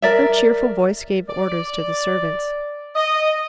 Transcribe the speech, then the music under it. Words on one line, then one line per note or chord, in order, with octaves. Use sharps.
Her cheerful voice gave orders to the servants.
A#4 D5 E5
D5
D#5